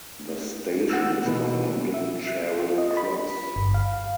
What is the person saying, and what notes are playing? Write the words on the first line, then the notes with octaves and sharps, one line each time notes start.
The station is from London Charing Cross.
F#5 E6
B2 E3 B3
E5
F4
D#5
B5
G1
F5